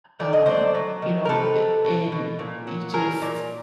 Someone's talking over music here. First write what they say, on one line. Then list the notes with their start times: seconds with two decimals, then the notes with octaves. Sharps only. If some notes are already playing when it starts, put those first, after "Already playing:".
um, you know? Eh, and you just
0.19 A3 D5
0.33 D#5
0.46 F#3 C5 D5
0.75 F#3
1.02 D#3
1.25 A#4
1.29 C3 A4 B4
1.57 C3
1.84 B2
2.12 B2
2.39 A#2
2.67 F#3
2.94 G3 G#4 A#4
3.22 A#2